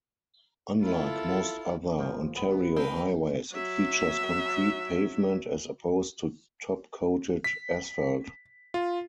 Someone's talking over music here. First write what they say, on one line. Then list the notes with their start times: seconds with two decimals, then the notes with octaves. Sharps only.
Unlike most other Ontario highways, it features concrete pavement as opposed to top-coated asphalt.
0.82 E4 F4 A4
1.99 G1 F3
2.37 B3
2.76 C4 A#4 B4
3.53 F#3 E5
7.44 B6
8.74 F4